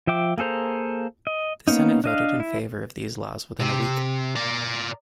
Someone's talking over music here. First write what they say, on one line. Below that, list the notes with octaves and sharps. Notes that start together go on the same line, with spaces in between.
The Senate voted in favour of these laws within a week.
F3 E5 G5 D6
A#3 G#4 A4 C5 A#5
D#5
A#3 B3 C#4 D#4
D4 D#5 F5
E4
C3
A#4 D5